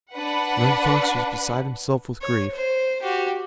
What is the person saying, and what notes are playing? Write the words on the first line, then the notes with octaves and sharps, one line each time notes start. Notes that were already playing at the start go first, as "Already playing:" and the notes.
Running Fox was beside himself with grief.
D4 B4 F#5
C#5
C5
F#4 G4